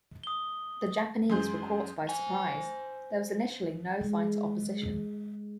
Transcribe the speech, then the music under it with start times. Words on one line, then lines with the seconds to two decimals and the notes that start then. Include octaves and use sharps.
The Japanese were caught by surprise; there was initially no fighter opposition.
0.23 D#6 G7
1.30 F#2 G#3 G#4 C6 G6
2.09 C5 G#5
4.01 G#3